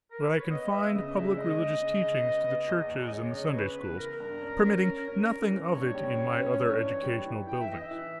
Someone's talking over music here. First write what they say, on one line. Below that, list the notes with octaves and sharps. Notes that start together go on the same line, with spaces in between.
But I confined public religious teaching to the churches and the Sunday-schools, permitting nothing of it in my other educational buildings.
A#4
B4
C#5
B3 D#5
B3 E5
C#3 D#5
G#3 E5
G#3 D#5
G#3
C#3
C#3
B3
B3
E2
E2
D#5
G#3 C#5
C#3 D#5
C#5
C#3 B4
B3
E3 A#4
G2
C#4
C#4
C#4
C#4
C#4
E3
G2 C#5
G3
C#4
C#4
G2
E3
G3
E3
E3 G5
E5
E3 D#5
E5
E3